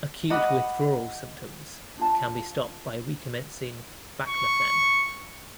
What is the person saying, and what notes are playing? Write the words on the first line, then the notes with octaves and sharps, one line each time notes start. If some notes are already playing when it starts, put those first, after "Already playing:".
Acute withdrawal symptoms can be stopped by recommencing baclofen.
D#5 F#5 B5 D6
D4 F4 A5
C#6